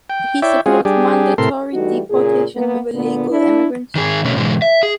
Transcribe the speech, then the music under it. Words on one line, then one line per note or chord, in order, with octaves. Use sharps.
He supports mandatory deportation of illegal immigrants.
G5
E4 C#5 D5 E5 G5
G#3 C4 C#4 F4 F#4 G#4
G3 D4 G4 G#4
A2 C3 A4 A#4 C6
E3 G3 A3 D#4 F#4
A#2 C#3 G#4
A#3 B3
A#2 D3 B3
D4 E4
D#3 G#4
B2 A3 C#4
G#2 B2 D3 E3 G#3
E5
G#4